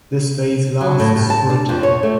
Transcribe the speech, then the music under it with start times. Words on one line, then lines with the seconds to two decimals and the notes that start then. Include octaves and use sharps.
This phase lasts for a day.
0.81 F#3
1.00 A2
1.16 G2
1.30 A5
1.50 D4
1.69 F2
1.83 C#5
2.03 A3